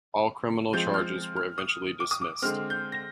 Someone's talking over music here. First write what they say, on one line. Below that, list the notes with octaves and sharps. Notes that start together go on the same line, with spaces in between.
All criminal charges were eventually dismissed.
F3 G#3 C4 G6
F6
F6
D#6
D6
D#6
D6
D3 G#3 C4 F6
G6
A#6